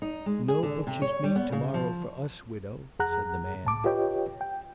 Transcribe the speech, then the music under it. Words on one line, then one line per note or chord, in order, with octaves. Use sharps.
"No butcher's meat to-morrow for us, widow," said the man.
D#4
G#3
G#4
D3
C3
C#5
G3
B3
C#3
F3
F2 G#4 F#5 A#5 F#6
C2 A2 A5 D6
F4 G4 B4 C#5 D#5 G5
G5